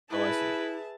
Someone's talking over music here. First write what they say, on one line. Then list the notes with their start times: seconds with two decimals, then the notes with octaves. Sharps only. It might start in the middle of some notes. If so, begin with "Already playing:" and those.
Oh, I see.
0.10 E4 G#4 B4 E5 A5